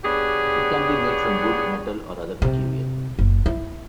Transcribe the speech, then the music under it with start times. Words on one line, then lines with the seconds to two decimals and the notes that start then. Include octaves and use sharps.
It can be made from wood, metal or other material.
0.04 B3 D4 G4 G#4 C#5
2.42 C3
3.19 F#1
3.46 E4